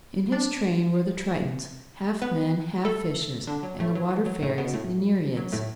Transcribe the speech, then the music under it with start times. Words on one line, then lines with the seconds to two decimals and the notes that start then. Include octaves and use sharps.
In his train were the Tritons, half men, half fishes, and the water fairies, the Nereids.
0.32 D4 D5
2.22 B3 B4
2.85 A3 A4
3.47 D3 D4
3.63 F#3
3.79 A2 A3
3.95 F#3
4.10 E3
4.26 F#3
4.42 A2 A3
4.58 B2 B3
4.74 A2 A3
5.37 F#3
5.52 A2 A3